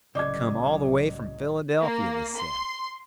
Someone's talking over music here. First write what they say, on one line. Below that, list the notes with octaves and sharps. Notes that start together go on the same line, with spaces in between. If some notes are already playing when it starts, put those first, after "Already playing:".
It come all the way from Philadelphia, they said.
C2 A2 C#3 F#3 D5 D#5 D6 G#6
A#3
C6